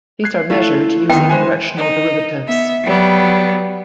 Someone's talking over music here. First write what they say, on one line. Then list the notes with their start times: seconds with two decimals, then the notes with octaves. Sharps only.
These are measured using directional derivatives.
0.24 F#6 G#6 C7
0.50 A3 E4 F4 A4
1.10 F2 D#3 B3 G5
1.29 G2 E3 G#3 C5 G#5
1.78 D#4
2.48 B3 E5
2.84 F#3 G3 B3